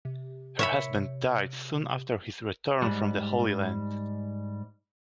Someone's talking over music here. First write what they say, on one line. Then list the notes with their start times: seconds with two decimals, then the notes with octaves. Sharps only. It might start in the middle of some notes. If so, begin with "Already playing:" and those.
Her husband died soon after his return from the Holy Land.
0.05 C3
0.59 C#5 E5 B5
2.82 G#2 G3